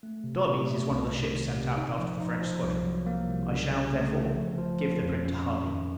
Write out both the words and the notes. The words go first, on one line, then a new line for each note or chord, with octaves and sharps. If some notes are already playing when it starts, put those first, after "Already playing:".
Darby's is one of the ships sent out after the French squadron; I shall, therefore, give the print to Hardy.
A3
C3
C3
A3
C2
C3
D#3
C3
D#4
F3
D#4
F3
C2
F#3
A#3
C2
C#3
C#3
A3
A3
F3
F3
F3
F2
C#4
F2
D#3